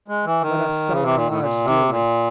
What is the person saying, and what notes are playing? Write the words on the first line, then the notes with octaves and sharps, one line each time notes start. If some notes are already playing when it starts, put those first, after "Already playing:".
"Let us sell our lives dearly."
G#3
E3
D#3
C#3
C3
A#2
A2
A#2
C3
A#2